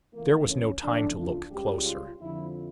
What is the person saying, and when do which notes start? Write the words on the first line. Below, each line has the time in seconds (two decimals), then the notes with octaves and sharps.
There was no time to look closer.
0.14 C#2 C#3 E3 A3 A#3
0.48 C#4
0.82 E2 C#3 F3 A3 D4
1.16 F4
1.51 C#2 C#3 G3 G4
1.85 F4
2.20 F2 D3 F3 E4